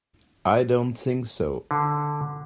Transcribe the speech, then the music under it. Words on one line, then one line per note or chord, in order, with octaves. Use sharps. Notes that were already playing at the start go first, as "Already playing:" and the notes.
I don't think so.
D3